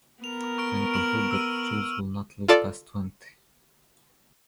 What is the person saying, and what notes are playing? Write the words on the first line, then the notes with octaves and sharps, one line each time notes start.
Many conclude that Jules will not live past twenty.
B3 A#4 F7
C#6 F6 D7
D7 E7 F#7
E6 F6 D#7
F4 A4 D5